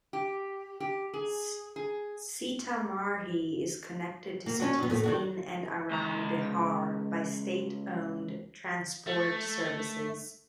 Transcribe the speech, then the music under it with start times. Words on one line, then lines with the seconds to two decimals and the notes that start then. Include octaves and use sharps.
Sitamarhi is connected to cities in and around Bihar by state-owned transport services.
0.13 G4
0.80 G4
1.14 G#4
1.76 G#4
4.46 A#3
4.60 C#4 D4 F#4
4.78 F#3 B3
4.90 A2 A3 A#3
5.03 D#3 D4 F#4
5.91 C#2 A#5
9.07 A3